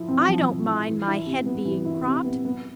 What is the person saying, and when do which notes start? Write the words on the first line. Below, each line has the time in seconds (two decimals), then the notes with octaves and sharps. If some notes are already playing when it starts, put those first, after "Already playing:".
I don't mind my head being cropped.
Already playing: F3 E4
0.08 C4
0.28 F3
0.48 F3
0.67 E4
0.88 E3
1.07 E4
1.26 C3
1.46 B3
1.65 E3
1.85 E4
2.05 C3
2.24 B3
2.45 B3